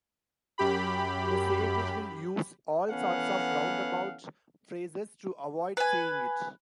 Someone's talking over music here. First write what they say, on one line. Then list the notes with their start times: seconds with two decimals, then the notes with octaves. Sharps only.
The savage will use all sorts of roundabout phrases to avoid saying it.
0.58 F#2 G4 B5
2.90 E3 B3 C#4 A4 F5 F#5
5.77 B4 G#5